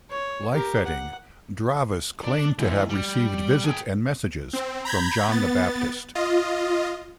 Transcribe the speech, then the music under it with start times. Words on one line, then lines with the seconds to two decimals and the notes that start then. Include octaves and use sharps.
Like Fetting, Draves claimed to have received visits and messages from John the Baptist.
0.11 C#5
0.52 G4 A#4
0.86 F#5
2.24 D4 D5
2.58 G#2 E3
2.89 G3
3.65 G#4 G5
4.53 C4
4.85 A#5 B5 G6 G#6
5.28 B3 A6
6.15 F4 D#5